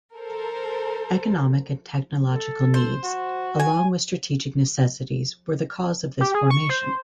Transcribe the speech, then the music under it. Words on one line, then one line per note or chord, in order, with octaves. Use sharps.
Economic and technological needs along with strategic necessities were the cause of this formation.
A4 A#4 C5
A4
C5
F#4
G#5
G4
G#4
C#6
C5